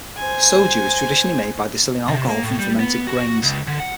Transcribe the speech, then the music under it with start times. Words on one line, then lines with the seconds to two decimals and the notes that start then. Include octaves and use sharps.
Soju is traditionally made by distilling alcohol from fermented grains.
0.17 C5 G#5
2.08 C3
2.29 A#3
2.43 A2
2.59 G3
2.79 B3
3.07 F#4
3.43 C#2
3.67 D3
3.80 F#5